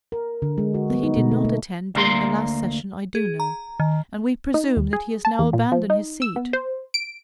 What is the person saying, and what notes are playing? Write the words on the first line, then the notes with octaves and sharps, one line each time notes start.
That he did not attend during the last Session I do know, and we presume that he has now abandoned his seat.
A#4
D3
G#3
F#4
B3
D#4
B2
A3
A3
D2 A#3 C6
G#4
A#5
D#3
D#4
D#2
G#4
A5
E2
A#2
F3
D#4
E6
B3
C5
D7